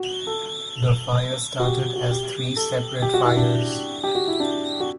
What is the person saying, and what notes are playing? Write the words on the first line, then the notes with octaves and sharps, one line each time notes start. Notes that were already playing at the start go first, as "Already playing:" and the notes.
The fire started as three separate fires.
Already playing: F#4
A4
F#4
G4
F#4
G4
A4
G4
F#4
E4
D4
G4
F#4
E4
D4
F#4